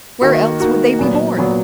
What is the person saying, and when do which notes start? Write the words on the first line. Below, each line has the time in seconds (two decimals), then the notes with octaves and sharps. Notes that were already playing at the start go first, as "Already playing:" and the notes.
"Where else would they be born?"
0.21 D#3 A#3 D#4 F#4
0.60 D#3 A#3 D#4 F#4
0.99 A#2 F#3 B3
1.37 A#2 F#3 B3